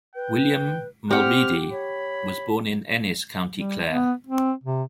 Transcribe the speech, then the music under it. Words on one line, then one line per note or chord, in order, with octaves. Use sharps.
William Mulready was born in Ennis, County Clare.
B4 G5
C4 G4 F#5 F6
C#5 B5
G3
B3
C4
C3